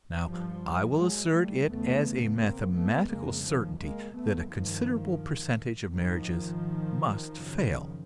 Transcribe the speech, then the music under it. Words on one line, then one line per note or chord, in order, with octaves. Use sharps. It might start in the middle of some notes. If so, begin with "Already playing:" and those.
Now, I will assert it as a mathematical certainty that a considerable percentage of marriages must fail.
G2 F3 G3
F#3 G#3
G3 A3
E2 C#3 A3 B3
A#3 C4
A3 B3
F2 C#3 G#3 A#3
D#3 F3
G#3 A#3
A3 B3
G2 D#3 F3
G#2 D#3 F3
F#2 C#3